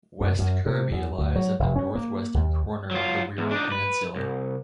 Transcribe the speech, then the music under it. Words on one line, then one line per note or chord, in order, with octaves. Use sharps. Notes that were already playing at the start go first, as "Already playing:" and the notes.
West Kirby lies at the north-western corner of the Wirral Peninsula.
F#2
F#2
C3
E2
D2
F#3
F1
C#4
A#3
D#2
F#3 F4
E2
D4 D#4
B4
C2